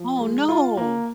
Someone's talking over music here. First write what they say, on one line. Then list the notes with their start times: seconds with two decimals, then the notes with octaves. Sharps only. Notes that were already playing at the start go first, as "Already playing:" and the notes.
Oh, no!
Already playing: F3
0.19 G#3
0.48 F4
0.77 A#3